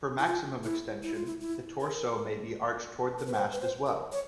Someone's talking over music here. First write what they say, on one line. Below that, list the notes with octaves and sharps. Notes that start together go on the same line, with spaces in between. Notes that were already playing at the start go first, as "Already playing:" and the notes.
For maximum extension, the torso may be arched toward the mast as well.
E4
F4
E4
E4
F4
E4
E4
A#4
A#4
B4
C5
B4
C5
A#4
C#5